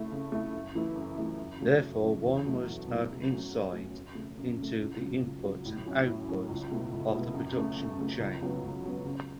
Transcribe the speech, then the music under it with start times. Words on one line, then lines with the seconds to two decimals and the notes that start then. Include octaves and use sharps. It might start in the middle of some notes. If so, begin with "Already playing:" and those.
Therefore one must have insight into the inputs and outputs of the production chain.
Already playing: C#3 A3 E4
0.12 C#3
0.32 A3 E4
0.53 F#2
0.75 E3 A3 E4
0.96 F#2
1.18 E3 A3 E4
1.39 F#2
1.60 C#3 F#3 A3
1.82 F#2
2.03 C#3 F#3 A3
2.25 E2
2.46 B2 F#3 A3 E4
2.67 E2
2.87 B2 F#3 A3 E4
3.09 F#2
3.30 F#3 A3 C#4
3.52 F#2
3.73 F#3 A3 C#4
3.94 F#2
4.15 C#3 A3
4.38 F#2
4.58 C#3
4.63 A3
4.79 C#2
5.01 C#3 F#3
5.22 C#2
5.43 C#3 F#3
5.65 A2
5.86 F#3 C#4 E4
6.07 A2
6.29 F#3 C#4 E4
6.49 C#2
6.71 B2 A3 E4
6.93 C#2
7.14 B2 A3 E4
7.34 F#2
7.56 C#3 A3
7.77 F#2
7.98 C#3 A3
8.20 C#2
8.42 C#3 F#3 B3
8.62 C#2
8.83 C#3 F#3 B3
9.05 C#3